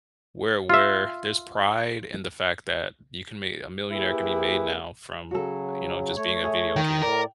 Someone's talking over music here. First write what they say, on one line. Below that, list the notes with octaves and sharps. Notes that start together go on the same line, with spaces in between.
we're aware there's pride in the fact that you can make a millionaire could be made now from, you know, just being a video game,
F4 E5
A#3 E4 G4 G#4 B4
C#3 F#3 F#4 A4
A3 C#5
G#4 E5
D#3 G5
A2 A#4 D5